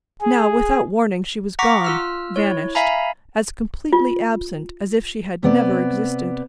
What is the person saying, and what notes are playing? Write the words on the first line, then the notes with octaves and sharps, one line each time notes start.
Now, without warning, she was gone, vanished, as completely absent as if she had never existed.
G#4
F#5 A#5 C#6 D6 A#6 B6
F4 E6 F6
E4 C#5
E5 F5 G#5 A#5 B5
F4
C3 B3 D5